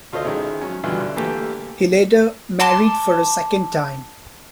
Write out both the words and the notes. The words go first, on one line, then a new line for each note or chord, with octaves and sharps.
He later married for a second time.
D2 F4 A4 C5 D#5 F5
D#3 G#3 C#4 E4
F#3 C#4
G2 B2 D3 E3 E4 F4
D3
D3 E3 A3 A#3 G4 A4
A5 C6 D6